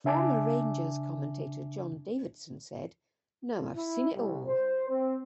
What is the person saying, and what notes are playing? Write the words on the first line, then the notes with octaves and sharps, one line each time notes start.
Former Rangers commentator John Davidson said, Now I've seen it all!
C#3 D4 E5 G#5 A5 D6
E4
C2
C5
C4